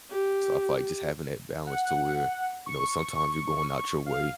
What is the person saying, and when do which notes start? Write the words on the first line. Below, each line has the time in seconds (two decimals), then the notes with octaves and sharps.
So I feel like just having that balance to where, you know, sometimes you're going out your way
0.10 G4
1.67 F#5
2.66 C#6
4.06 F5